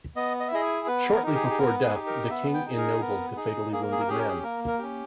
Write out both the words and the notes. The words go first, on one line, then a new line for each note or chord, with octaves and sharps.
Shortly before death the King ennobled the fatally wounded man.
B3 D#5
D#5
E5
E4 G#4 D#5
G#5
B3 B4
A#4
D#4 G4 A#4
G#4
G#4
B3 A#4
G#4
D#4 G4
A#4
B3 E5
G5
D#4 G#4
A#4
B3 A#4
D#4 G#4
A#3 G#4
A#4
G#4
A#4
C#4 G4 G#4
A#4
G#4
A#3 A#4
A#4
C#4 G4